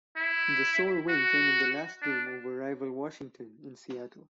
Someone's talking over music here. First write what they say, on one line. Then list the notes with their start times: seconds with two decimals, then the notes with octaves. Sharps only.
The sole win came in the last game over rival Washington in Seattle.
0.16 E4
1.09 F#4
2.02 D4